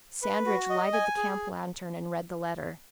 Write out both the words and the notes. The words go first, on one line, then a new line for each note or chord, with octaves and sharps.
Sandridge lighted the camp lantern and read the letter.
B4
F#4
D#5
G#5
G#4